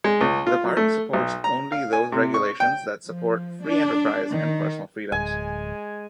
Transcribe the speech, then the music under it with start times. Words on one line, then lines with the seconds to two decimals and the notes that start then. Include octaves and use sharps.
The party supports only those regulations that support free enterprise and personal freedoms.
0.04 G#3
0.21 C#2
0.47 F4
0.64 F#3
0.77 A3
1.14 B1
1.44 A#5
1.72 F5
1.93 G#5
2.12 C3
2.34 C#6
2.60 G5
3.06 F3
3.66 D4
4.30 D#3
5.12 D1 G#3 G#5